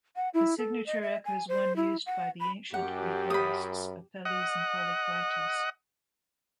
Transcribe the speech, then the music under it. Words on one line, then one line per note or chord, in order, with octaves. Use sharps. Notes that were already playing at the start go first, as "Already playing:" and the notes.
The signature echoes one used by the ancient Greek artists, Apelles and Polykleitos.
F#5
E4
A4
D#5
E5
G#5
C5
E4
F#5
B5
F#2 G4 F#5
B5 D#6
D#5 F#5